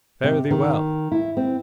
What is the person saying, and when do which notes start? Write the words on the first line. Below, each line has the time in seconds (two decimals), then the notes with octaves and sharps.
Fare thee well!'
0.24 C3
0.51 D#3
1.12 E4
1.37 C4